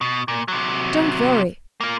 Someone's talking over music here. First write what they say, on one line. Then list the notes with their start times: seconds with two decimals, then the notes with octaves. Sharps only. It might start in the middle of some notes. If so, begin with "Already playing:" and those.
Don't worry!
0.01 B2
0.28 A#2
0.48 C3 F#3
1.81 A#3 F4